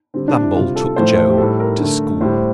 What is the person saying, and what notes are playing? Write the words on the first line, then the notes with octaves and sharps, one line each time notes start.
Lambole took Joe to school.
D3 G3 C4
D4
E4
C3 G3 F4
A4
A2 F3 A3 C5
G4
A2 G3 A4
A#4
D3 A3
A2 G3 C5